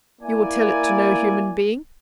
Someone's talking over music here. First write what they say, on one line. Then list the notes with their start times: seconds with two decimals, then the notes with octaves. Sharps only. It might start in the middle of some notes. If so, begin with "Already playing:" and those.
"You will tell it to no human being?"
0.21 A#3 E4 D5 G#5